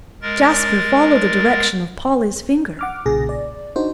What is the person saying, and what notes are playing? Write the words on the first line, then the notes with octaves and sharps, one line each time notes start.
Jasper followed the direction of Polly's finger.
G#3 A#4 A6
F#5 D6 F6
B1 A#2 C#3 G#4 A#6
D5
D4 D#4 F#4 C5